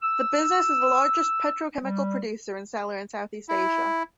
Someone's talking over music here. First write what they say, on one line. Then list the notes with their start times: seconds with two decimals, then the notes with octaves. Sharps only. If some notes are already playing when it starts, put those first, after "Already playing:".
The business is the largest petrochemical producer and seller in South East Asia.
0.03 E6
1.83 G3
3.48 E4